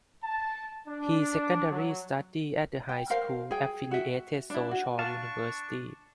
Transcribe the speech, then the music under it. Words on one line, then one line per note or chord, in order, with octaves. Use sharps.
He secondary studied at the High School Affiliated Soochow University.
A5
D4
F#3
G5
A#4 C5 F5
G#4 G5
F#4 E5
D4 E4
F#4
D4 F5 A5 C#6